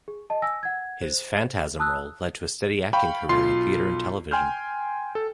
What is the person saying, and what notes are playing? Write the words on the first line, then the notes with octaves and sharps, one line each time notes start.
His "Phantasm" role led to a steady acting career in theater and television.
G#4
D#5 A5
G#5 E6 A#6
F#5 G#6
C5
A5 D#6 E6 F#6
F5 G5 B5 C#6
B1 F4 C6 C7
G5 G#5 C6 F6 G6
A4